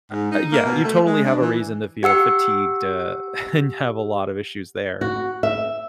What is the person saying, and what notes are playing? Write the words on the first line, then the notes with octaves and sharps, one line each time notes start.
uh, uh, yeah, you totally have a reason to feel fatigued, uh, and have a lot of issues there.
G#2
D#4
A#3
B2
A3
G#3
D4
E3
G4 F#5 E6 C#7
F#4
E5